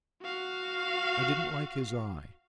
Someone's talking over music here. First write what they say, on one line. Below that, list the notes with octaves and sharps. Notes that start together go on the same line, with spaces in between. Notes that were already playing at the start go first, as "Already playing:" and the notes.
I didn't like his eye.
F#4 F5